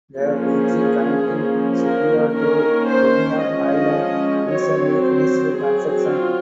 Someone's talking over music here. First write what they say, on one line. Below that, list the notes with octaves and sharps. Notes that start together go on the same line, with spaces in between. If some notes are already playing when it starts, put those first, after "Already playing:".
The bridge connecting Subiya to Bubiyan Island recently finished construction.
F3 A#3 C#4 G#4
F3 A#3 C#4
A#4
D#3 A#3 C#4 A#4
C5
F3 G#3 C#4 D#5
F#3 C4 C#5
C5
F#3 C4 G#4
F4